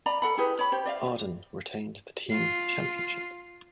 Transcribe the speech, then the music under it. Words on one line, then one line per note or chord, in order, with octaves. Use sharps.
Arden retained the Team Championship.
D5 F5 A#5 B5
A4 F#5 B5
E4 G4 G#4 B4
C#5 B5
G4 C5
D5 E5 F5
F4 C7